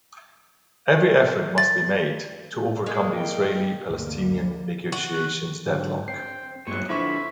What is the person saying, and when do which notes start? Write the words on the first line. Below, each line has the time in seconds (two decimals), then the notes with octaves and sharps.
Every effort must be made to overcome the Israeli-Palestinian negotiations deadlock.
1.58 A6
2.86 G#3 A#3 G#4
3.17 G5
3.90 D2 G2 B2 D3 A#3
4.92 F#4
5.66 G#2 D3 F#3
6.08 C4 G5 C7
6.67 G2 A#2 F#3 G#3 C#6
6.89 D3 F3 E4 C5 E5 B5 C#6